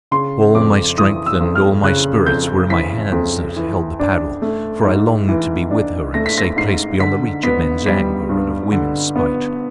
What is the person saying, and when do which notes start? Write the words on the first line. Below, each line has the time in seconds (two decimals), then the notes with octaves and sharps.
All my strength and all my spirit were in my hands that held the paddle--for I longed to be with her in a safe place beyond the reach of men's anger and of women's spite.
0.11 C#3 C6
0.55 F2 D6
0.97 E3 D#6
1.26 E6
1.40 F2
1.55 F6
1.83 C#3 F#6
2.26 F2 G6
2.70 E3 B6
3.12 F2
3.56 E3
3.99 D4
4.42 A3
4.85 G#2
5.29 E3
5.71 D4
6.14 A3 A#6
6.26 B6
6.38 A#6
6.57 G#2 C7
7.00 D3 B6
7.43 B3 B6
7.86 G3 B6
8.29 G2
8.72 D3
9.16 B3